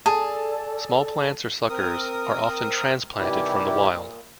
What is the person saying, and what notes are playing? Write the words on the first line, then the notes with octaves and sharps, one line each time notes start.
Small plants or suckers are often transplanted from the wild.
G#4 A4 D5 A5
C4 A#4 D#6
C3 D#3 E3 G3 E4 G4
A#2